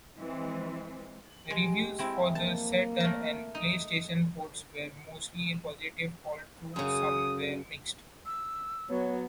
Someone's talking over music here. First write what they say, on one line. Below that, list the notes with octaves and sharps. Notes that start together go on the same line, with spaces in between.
Reviews for the Saturn and PlayStation ports were mostly positive although some were mixed.
E3 F3 G#3 C4
G#3 G4
G#3 C4 E4
A#3 A5
A3 A#4
D#4
F#2 C#3 D#6
E6
F#3 B3 C#5